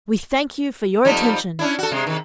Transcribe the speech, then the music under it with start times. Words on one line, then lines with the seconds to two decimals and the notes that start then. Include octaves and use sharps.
"We thank you for your attention!"
1.05 F2 G3 D#4
1.59 C#4 D4 E4
1.79 F#4 A4
1.91 C3 G#3
2.07 C3 D#3